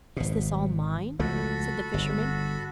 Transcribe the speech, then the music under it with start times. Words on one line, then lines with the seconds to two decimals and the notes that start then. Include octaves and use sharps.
"Is this all mine?" said the fisherman.
0.17 G#1 B2
1.20 C#2 F3 A3 F#4 A4 B5
1.94 G1